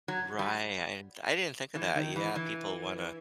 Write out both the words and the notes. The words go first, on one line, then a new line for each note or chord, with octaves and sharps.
Right, I and I didn't think of that, yeah, people wanna
F#3
G3
E3
D#3
E3
E3